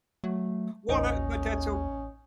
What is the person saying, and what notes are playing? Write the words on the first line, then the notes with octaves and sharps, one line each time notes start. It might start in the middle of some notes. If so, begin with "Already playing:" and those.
Well, that but that's o
F#3 A3
A1 D#2 C#4 D#4